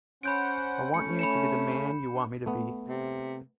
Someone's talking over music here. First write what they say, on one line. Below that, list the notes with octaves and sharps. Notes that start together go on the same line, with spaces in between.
I want you to be the man you want me to be.
C#4 C5 F#5 B5 G6 D7
A3 C#4 C#7
B5 C#7 E7
D4
A3 B3
C3